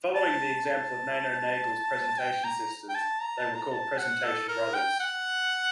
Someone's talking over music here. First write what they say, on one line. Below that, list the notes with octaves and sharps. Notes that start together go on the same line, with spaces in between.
Following the example of Nano Nagle's Presentation Sisters, they were called "Presentation Brothers".
A5
A5
G5
A#5
G5
A5
A#5
A5
A#5
A5
F#5
A4
A#4
G5
F#5